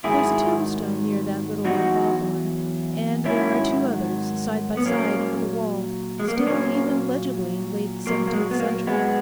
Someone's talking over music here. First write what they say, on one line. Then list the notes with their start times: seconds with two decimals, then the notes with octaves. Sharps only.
There's a tombstone near that little old hawthorn, and there are two others side by side under the wall, still even legibly late seventeenth century.
0.04 G#2 D#3 F#3 E4 G#4
1.65 E2 B2 F#3 D#4 F#4
3.25 G#2 D#3 F#3 C#4 E4
4.77 B3
4.86 A#2 F#3 A#3 C#4
6.20 G#3
6.28 A#3
6.37 B3
6.46 A#2 F#3 A#3 C#4
8.07 A#2 F#3 A#3
8.28 A#3
8.33 G#3
8.51 B3
8.60 A#3
8.87 G#3 B3